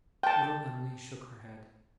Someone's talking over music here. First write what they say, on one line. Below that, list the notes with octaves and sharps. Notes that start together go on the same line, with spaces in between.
Little Em'ly shook her head.
G5 A5